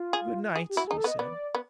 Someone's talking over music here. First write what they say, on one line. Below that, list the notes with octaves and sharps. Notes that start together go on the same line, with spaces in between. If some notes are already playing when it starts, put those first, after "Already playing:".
"Good night," he said.
Already playing: F4
G#4
G#4
G4
E4 F#4
G#4
D#4
A4
B3
D#5
B3 D5
B3